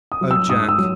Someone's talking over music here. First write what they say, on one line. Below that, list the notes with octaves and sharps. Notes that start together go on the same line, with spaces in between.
"Oh, Jack!"
D#6
F#3
E6
G#2 D#6
E6
F#3